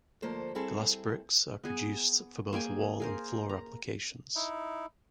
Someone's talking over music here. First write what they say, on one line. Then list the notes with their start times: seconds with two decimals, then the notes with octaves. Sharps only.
Glass bricks are produced for both wall and floor applications.
0.22 D2 F3 A#3 A4 C5
0.55 G3 C4 E4 G#4 A4
1.64 B3 G#4
2.53 A#3 G#4 G5 G#5
3.00 G#4 A#4 C5
3.49 A#5
4.35 D#4 E4